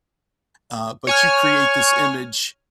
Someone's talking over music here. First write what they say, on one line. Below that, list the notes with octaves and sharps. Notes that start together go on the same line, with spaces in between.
uh, but you create this image
C#5 G#5 F6